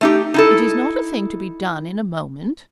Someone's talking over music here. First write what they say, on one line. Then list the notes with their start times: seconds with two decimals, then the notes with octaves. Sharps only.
'It is not a thing to be done in a moment.'
0.01 A3 D#4 G4
0.34 D#4 E4 A4